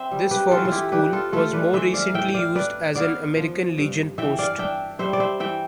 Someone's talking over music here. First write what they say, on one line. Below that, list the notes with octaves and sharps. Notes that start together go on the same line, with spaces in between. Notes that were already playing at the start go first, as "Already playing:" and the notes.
This former school was more recently used as an American Legion post.
Already playing: C4 C5 E5
G3
G4 B4
E3 F4 A4
F4
E4 G4
D4 G4 B4
F4 A4
A3 F4 A4
B4 D5
E3 C5 E5
D5 F5
A2 E5 G5
D5 F5
D4 B4 D5
B3 D5 F5
F3
G2
E3 E5 G5
D5 F5
D4 E5 G5
G3 C5 E5
D5
C5 E5
E3 E5 G5